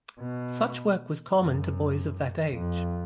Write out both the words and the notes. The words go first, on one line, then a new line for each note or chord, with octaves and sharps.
Such work was common to boys of that age.
B2
F#2
F2